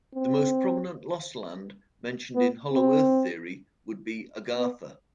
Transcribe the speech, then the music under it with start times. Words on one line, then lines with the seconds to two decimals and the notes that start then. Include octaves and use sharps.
The most prominent lost land mentioned in Hollow Earth theory would be Agartha.
0.15 C4
2.36 B3
2.72 C4
4.57 B3